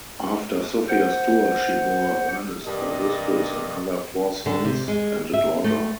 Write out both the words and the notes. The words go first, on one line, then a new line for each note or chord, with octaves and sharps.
After Sophia's tour, she bore Ernest Augustus another four sons and a daughter.
C5 F#5
G2 C3 A#3 D4 D5 D#5
D3
C3
G#3
E5
A3